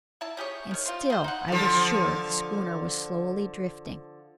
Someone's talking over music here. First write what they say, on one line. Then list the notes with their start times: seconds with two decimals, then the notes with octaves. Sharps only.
And still I was sure the schooner was slowly drifting.
0.21 E4 A5
0.37 C#4 G4 G#4 C#5
0.71 D#3 C#5
0.86 C4 F4
1.10 G#4 C5
1.24 D#4 F#5
1.48 D3 F3